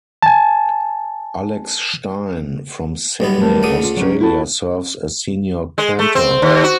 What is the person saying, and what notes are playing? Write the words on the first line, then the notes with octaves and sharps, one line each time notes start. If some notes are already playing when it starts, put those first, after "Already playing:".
Alex Stein from Sydney Australia, serves as senior cantor.
G#5 A5
B1 G2 B3 D#5
A3 A#4
C#2 D3 D#6
F4
F#3 C#4
E4 F#4 A4
G#3
A3
C4
D#2
F#4